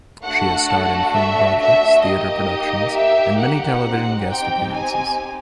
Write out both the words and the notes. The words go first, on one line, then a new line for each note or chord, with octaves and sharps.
She has starred in film projects, theatre productions and many television guest appearances.
A3 D4 F#4 A4 F#5
E5
E5
A#3 D#4 G4 D#5
E5
F#5
C4 D#4 G4
G5
G#5